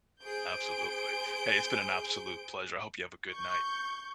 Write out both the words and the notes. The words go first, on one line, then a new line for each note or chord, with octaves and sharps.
Absolutely. Hey, it's been an absolute pleasure. I hope you have a good night.
G#4 C5 G6 D7
C#6 G6